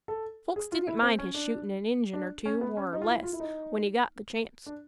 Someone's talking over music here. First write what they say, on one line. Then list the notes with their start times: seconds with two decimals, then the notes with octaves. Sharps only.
Folks didn't mind his shootin' an' Injun or two, more or less, when he got the chancet.
0.08 A4
0.56 G#4
0.72 F4
0.87 E4
1.03 C4
1.19 C#4
1.34 D4
2.14 D4
2.46 C#4
2.61 B3
2.77 C#4
2.93 D#4
3.02 F4
3.08 E4
3.23 F4
3.33 E4
3.40 D#4
4.66 D4